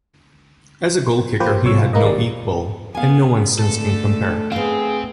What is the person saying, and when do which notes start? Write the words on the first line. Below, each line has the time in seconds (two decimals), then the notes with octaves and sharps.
As a goalkicker he had no equal - and no one since can compare.
1.40 F3 A#3 G4 B4 C5
1.64 C2 B2 C#5 E6
1.78 B1 F4
1.93 G#3 A#3 D#4 B4 D#5
2.05 G#1 G3 D5
2.95 B3 F5 G#5
3.59 D3 A3 A4
4.52 B3 C4 G#4 F5 G5